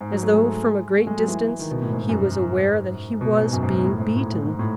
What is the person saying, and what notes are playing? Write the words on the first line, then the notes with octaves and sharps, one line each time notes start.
As though from a great distance, he was aware that he was being beaten.
G#2
F#3
A3
G#3
A3
G#3
F#3
E3
D#3
B2
A2
G#2
F#2
G#2
B2
G#2
F#2
G#2
G#2
A2
G#2
A2
G#2
G#2
A2